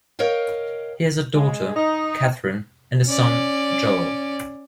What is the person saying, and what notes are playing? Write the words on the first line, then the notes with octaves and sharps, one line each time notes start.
He has a daughter, Kathryn, and a son, Joel.
A#4 C#5 D#5 F5 G5
G#3
D#4
C#4 D5